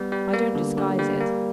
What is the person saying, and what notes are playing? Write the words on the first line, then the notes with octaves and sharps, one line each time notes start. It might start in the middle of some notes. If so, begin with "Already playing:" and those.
I don't disguise it.
Already playing: G3 B3
G3
A#3
D3
D3
G3
A#3